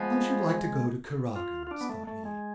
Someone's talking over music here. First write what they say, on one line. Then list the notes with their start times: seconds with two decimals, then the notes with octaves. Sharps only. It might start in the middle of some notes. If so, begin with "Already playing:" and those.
"I should like to go to Kuragin's," thought he.
Already playing: F3 G#3 B3
1.36 F4
1.67 F4
1.71 D4
1.81 B3
1.89 A3
2.07 A3
2.25 G#3